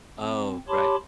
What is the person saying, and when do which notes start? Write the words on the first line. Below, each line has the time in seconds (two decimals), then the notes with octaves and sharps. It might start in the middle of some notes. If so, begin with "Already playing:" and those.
Oh, right.
0.19 C4
0.68 G4 C#5 A5 B5 C6 D6